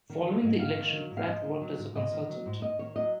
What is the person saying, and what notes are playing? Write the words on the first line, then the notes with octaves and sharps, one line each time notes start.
Following the election, Pratt worked as a consultant.
D#3
F#3
G#2
G#2 F5
D#3
F#3
G#2
F5
G#2 D#5
D#3
F#3
G#2
G#2 D#5
D#3
F#3
G#2
G#2 D#5
D#3 C#5
F#3 D#5